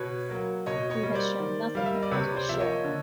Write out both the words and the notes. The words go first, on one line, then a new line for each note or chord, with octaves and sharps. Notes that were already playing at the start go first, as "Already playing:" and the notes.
He has shown nothing but his shell.
Already playing: B2 B4 C#5
F#3 A#3
B2 C#5 D#5
C#5 D#5
G3 A#3
C5 D5
D#3
G3 A#3 F5
E5
D#5
D5
C3 B4 C#5
C5 D5
F3 A#3 E5
C#5 D#5
D3